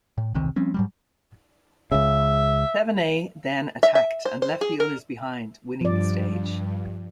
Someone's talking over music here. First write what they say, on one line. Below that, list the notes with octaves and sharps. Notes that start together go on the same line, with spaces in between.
Thevenet then attacked, and left the others behind, winning the stage.
A2
E1 C2 C3 D#3
F3 G3 C4 C#4
G#2 F#3 G3
C#2 C#3 E5
E5
E5
C5
C5
G#4
A#4
G2 F3 D5